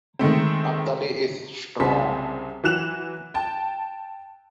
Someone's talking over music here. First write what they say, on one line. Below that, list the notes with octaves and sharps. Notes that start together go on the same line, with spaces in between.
Abdali is strong.
D#3 G#3 A3 C4
C2 C#3 G#4 C5 A5 B6
E3 F#3 F#6 E7 F7
G5 A5